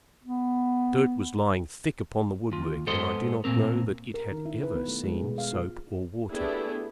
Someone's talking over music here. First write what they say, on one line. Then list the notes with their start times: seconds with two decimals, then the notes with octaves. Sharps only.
Dirt was lying thick upon the wood work and I do not know that it had ever seen soap or water.
0.24 B3
2.52 D#2 F4
2.87 G#2 B3 A4 C5 D#5 C6
3.44 A#2 D3 A3 C4 A#4
4.14 A#4
4.32 D#3
4.46 E4
4.63 B4
4.75 B3
4.88 A3
5.04 G#3
5.22 B2
5.38 F5
5.53 F4
6.30 A3 B3 D4 E4 G4 G#4